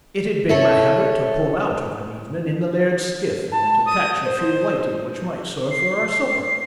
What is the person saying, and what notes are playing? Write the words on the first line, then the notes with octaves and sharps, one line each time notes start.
It had been my habit to pull out of an evening in the laird's skiff and to catch a few whiting which might serve for our supper.
E4 A4 C#5
A5
D#6
C5
C7